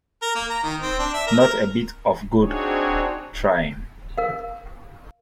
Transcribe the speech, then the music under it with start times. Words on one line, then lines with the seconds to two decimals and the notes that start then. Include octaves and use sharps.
Not a bit of good trying.
0.22 A#4
0.35 A#3
0.50 A#5
0.64 D#3
0.81 C4
0.99 D4
1.14 E5
1.27 A#4
1.40 A#4
2.41 C4 D4 D#4 F#4 G#4 C#5
4.18 A#4 F5